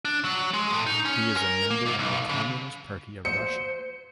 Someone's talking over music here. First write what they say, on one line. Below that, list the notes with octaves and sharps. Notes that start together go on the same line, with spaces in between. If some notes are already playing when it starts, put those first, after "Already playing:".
He is a member of the Communist Party of Russia.
D4
F#3
G#3
A2
D#4
C#4
A#4
A#3
G#2
B1
C#3
C5 C#7